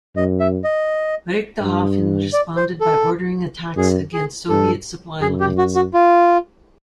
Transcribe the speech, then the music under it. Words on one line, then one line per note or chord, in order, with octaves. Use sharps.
Richthofen responded by ordering attacks against Soviet supply lines.
F#2 D#5
E5
D#5
G2
D5
C5
A4
F#2 G#4
G#4
G2 A4
F#2 G#4
G4
F#4
F#4
F4